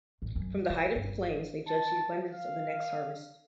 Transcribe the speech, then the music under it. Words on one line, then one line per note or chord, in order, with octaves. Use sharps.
From the height of the flames they judge the abundance of the next harvest.
A1
F#2
C#3
G1
A5
F5